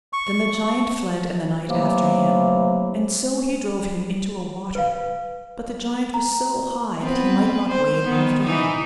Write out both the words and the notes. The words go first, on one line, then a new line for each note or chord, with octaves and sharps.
Then the giant fled and the knight after him, and so he drove him into a water, but the giant was so high that he might not wade after him.
C#6
C3 E3 F#3 A3 A#3
B4 F5
A#5
B3 C4 B4
C5
D#3 B3
E3 D#4